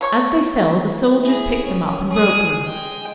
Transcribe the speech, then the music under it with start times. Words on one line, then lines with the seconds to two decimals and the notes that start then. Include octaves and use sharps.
As they fell, the soldiers picked them up and broke them.
0.01 F3 C#5 C#6
1.21 E4 G#4
1.64 C#4
2.12 G#4 D#6
2.65 G#3 G5